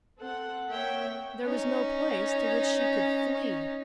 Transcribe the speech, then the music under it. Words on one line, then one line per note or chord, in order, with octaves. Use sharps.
There was no place to which she could flee.
C4 A4 F#5
A#3 C#5 E5 G5
C#4 D#4